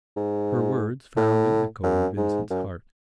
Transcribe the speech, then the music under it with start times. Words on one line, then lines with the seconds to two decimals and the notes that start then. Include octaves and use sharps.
Her words found an echo in Vincent's heart.
0.16 G#2
1.17 A2
1.83 F#2
2.17 G#2
2.50 F#2